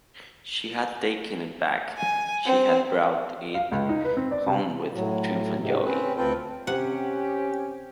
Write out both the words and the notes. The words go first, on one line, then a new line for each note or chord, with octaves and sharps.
She had taken it back, she had brought it home with triumphant joy.
G#5
C4
F5
C#2
D#4
B4
C4
D5
C3
A2 F#3
G#2 C3
C4 C#4 B4
D2 C4 F4 A4 B4 G5
C3 C4 C#4 G4 F#5